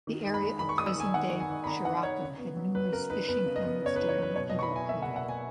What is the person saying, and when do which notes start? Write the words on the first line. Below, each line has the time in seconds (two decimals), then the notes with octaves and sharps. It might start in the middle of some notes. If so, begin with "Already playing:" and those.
The area of present-day Shirako had numerous fishing hamlets during the Edo period.
0.07 D#3
0.25 D#4
0.34 B5
0.42 G#3
0.59 D#3 B5
0.69 C#6
0.78 G#3 D#6
0.87 E6
0.95 D#3 G#5
1.14 D#3 F#5
1.32 D#3
1.40 G#5
1.50 D#3
1.64 B5
1.67 D#3 A#5
1.85 D#4 F#5
2.03 D#4 C#5
2.21 C#3
2.39 B3
2.57 F#3
2.75 F#3 B4
2.93 C#3 A#4
3.10 D#4 B4
3.28 B3 B4
3.46 C#3
3.56 D#5
3.64 B3
3.82 C#3 C#5
3.96 B4
3.99 D#4
4.09 C#5
4.18 F#3 B4
4.36 B2 C#5
4.50 D#5
4.54 B2
4.59 C#6
4.63 B5
4.71 E4
4.76 G#5
4.89 A#3 E5
5.02 F#5
5.06 B2
5.16 F#5
5.24 A#3 G#5